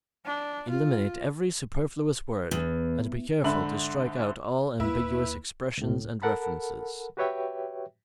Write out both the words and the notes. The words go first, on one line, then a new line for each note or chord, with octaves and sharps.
Eliminate every superfluous word and be careful to strike out all ambiguous expressions and references.
D4
F4
E2
G#2 D3 E5 B5 F#7
D#2 A#3 E4 B4
C#2 A2
A4 A#4 F#5 A5 B5
F#4 G4 B4 C#5 E5 G5